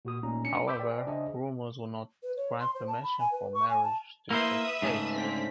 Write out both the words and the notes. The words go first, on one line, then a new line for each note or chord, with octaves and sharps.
However, Romulus will not grant permission for the marriage to take place.
A#2 F#4 D#6
A1 A#2 A3 C#4 D#4 A#5
C#4 D4 C#7
B4 B5 D6 E6 G6 B6
G#4 C5 D5 G5
C#3 D4 G#4 C5 D#5 E5
B4
C#5
C6
C5
A5
B5
G#5
B4
C#6
G#5
A5
A#3 E4 B4 C5 E5 D#6
G#2 C#3 A3
D3 C4 B6